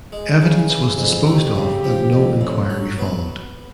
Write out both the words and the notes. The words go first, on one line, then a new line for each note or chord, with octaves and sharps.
Evidence was disposed of and no inquiry followed.
G#3 G#4
C#3
E3
F2
A3 G4
C#3
F3
F2
A2 C#4
F#3
B3